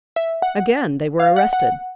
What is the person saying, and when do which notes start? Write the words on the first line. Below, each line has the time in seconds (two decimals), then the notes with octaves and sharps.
Again they were arrested.
0.16 E5
0.42 F#5
1.20 F5
1.36 F#5
1.53 F#5